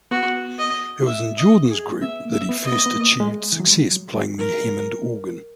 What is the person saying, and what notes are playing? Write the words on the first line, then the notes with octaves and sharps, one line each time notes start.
It was in Jordan's group that he first achieved success playing the Hammond organ.
B3 F#4
D#5
E5
D#5
G#4
B3 E5
A#3
E5
B3
D#5
B3
B3
A#3
G#3
E3
F#3
G#3
F#3
F#3
F#3 A#4
F#3